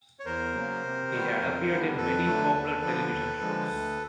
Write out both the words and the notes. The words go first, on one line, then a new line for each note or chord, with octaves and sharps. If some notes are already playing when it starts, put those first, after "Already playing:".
He had appeared in many popular television shows.
C#5
E2 A#4 C5
C#3 F#3 A#3
C3
D#3 G3 B3
F2
D3 G3 B3
F2 A4 B4
D3 F#3 A3
D#2
D3 F3
D#2
D3 F3 G#3
D2